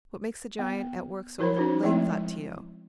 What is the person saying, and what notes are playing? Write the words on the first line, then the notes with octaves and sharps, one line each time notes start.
"What makes the giant at work so late?" thought Tito.
B3
F3 E4 A#4 C5 C#5 B5
C#4 D#4 F#4 C5
F3 G#3 A3 C4 E4
G#3